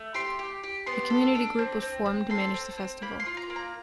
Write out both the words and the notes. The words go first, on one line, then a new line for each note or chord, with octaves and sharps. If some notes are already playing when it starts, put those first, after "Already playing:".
A community group was formed to manage the festival.
Already playing: A3
G4 C6
G4
G4
B3 C6
A4
D4
C4
C4
C4
A4 C6
C4
C4
A#3 B5
C6
F4
A#5
A#3
A#5